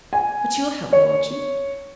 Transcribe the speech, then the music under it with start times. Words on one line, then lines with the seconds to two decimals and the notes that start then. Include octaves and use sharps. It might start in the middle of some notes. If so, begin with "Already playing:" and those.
But you'll help me, won't you?
0.13 G#5
0.93 C#5